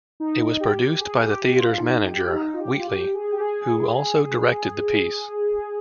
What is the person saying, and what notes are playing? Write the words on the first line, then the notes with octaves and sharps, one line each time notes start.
It was produced by the theatre's manager, Wheatley, who also directed the piece.
D#4
G4
G#4
G4
F4
D#4
G4
D#4
F4
G4
F4
G4
G#4
G4
G#4